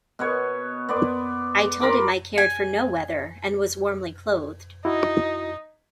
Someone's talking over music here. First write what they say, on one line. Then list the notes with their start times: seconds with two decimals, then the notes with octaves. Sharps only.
I told him I cared for no weather and was warmly clothed.
0.19 B2 B3 C#5
0.89 B3 D5 C6
1.80 F4 A#4 B5 D6
2.38 G#5
4.85 D#4 E4 F#4